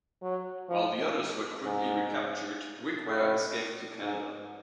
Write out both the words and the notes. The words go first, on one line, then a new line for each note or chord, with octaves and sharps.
While the others were quickly recaptured, Grigware escaped to Canada.
F#3
F3
G#2
A2
G#2